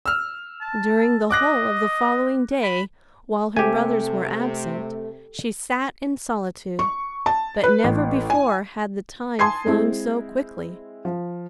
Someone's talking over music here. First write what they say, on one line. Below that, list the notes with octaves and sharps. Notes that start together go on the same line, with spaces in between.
During the whole of the following day, while her brothers were absent, she sat in solitude, but never before had the time flown so quickly.
E6 F6
A5
D#5 D6 F#6 A#6
B5
C3 A3 G4 A4 G#5
C#6
A5
B4
A1
G#5
G#5 A5 C6 D#6 G#6 C7
G#3 C4 E4
F3